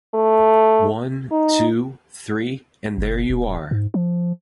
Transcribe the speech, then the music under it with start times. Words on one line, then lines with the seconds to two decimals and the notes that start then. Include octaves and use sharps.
One, two, three, and there you are!
0.14 A3
1.31 D#4
2.98 F#1
3.30 D#1
3.71 G#2
3.94 F3